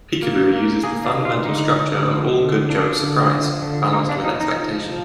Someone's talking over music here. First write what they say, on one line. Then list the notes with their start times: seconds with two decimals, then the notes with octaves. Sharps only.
Peekaboo uses the fundamental structure of all good jokes-surprise, balanced with expectation.
0.23 A#3
0.53 A#3
0.84 A#3 G#4
1.05 D4
1.14 D#3
1.25 F4
1.45 D3 D#4
1.77 D3
2.08 F3
2.38 D3
2.70 F3 D4
3.01 D3
3.32 F3
3.62 D3
3.93 A#3 D#4
4.09 D4
4.24 F3 D#4
4.40 D#4
4.55 F3
4.86 F3